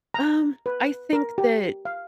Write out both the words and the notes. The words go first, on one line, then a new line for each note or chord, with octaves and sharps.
Um, I think that
A#5
B4
A#4
G4
F5